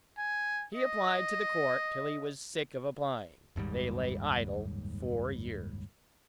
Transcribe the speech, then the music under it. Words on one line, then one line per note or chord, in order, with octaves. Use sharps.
He applied to the Court till he was sick of applying: they lay idle four years.
G#5
D#5
F#1 D#2 G#2 G3